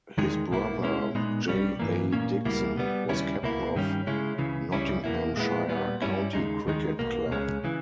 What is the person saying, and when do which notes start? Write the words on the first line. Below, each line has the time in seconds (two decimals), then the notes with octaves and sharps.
His brother, J A Dixon, was captain of Nottinghamshire County Cricket Club.
0.18 E2 D#3 G#3 D#4
0.50 B1 B2 A#3 E4
0.83 B2 G#3 C#4 E4
1.15 A#2 G#3 B3 D#4
1.48 B1 A#2 G3 C#4
1.79 G2 E3 A#3
2.12 A#2 A#3 C#4
2.45 C#2 B2 G3 A#3 E4
2.77 B2 G3 B3
3.09 D#2 C#3 G3 C#4 E4
3.43 C#2 B2 A#3 E4
3.75 G2 D#3 G3 C#4
4.07 C#3 G#3 C#4 E4
4.38 C#2 C#3 E3
4.72 C#2 C#3 G3 C#4 E4
5.04 E2 B2 A#3 E4
5.36 A#2 G#3 B3 E4
5.68 A#2 G3 B3
6.02 G2 G3 C#4 E4
6.33 D#2 C#3 G#3 D#4
6.67 D#2 D#3 G#3 D#4
6.99 B1 B2 A#3
7.31 C#2 C#3 G#3 C#4
7.64 C#3 E3